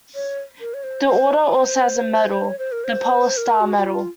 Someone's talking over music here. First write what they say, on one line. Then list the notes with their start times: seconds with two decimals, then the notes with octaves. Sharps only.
This order also has a medal, "the Polar Star Medal".
0.15 C#5
0.61 A#4
0.74 C#5
0.83 C5
1.07 C5
1.53 C5
2.44 C#5
2.59 C5
2.72 A#4
2.84 C5
3.37 A#4
3.60 F#4
3.78 F#4
3.84 F4